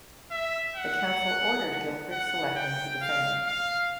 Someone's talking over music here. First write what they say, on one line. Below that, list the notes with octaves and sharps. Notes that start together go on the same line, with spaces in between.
The Council ordered Guilford's selectmen to defend them.
E5
F#5
F#5
G5
F5
F5